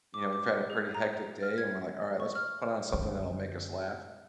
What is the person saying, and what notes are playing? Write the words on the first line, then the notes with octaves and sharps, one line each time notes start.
you know, we've had a pretty hectic day and we're like, "All right, let's put on something that'll make us laugh,"
D6
D6
G#4
A#5
F6
G#6
C#6
F6
F#2 D3